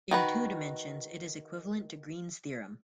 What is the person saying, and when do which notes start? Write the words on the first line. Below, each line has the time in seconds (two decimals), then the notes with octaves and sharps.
In two dimensions, it is equivalent to Green's theorem.
0.11 D#3 F#4 B4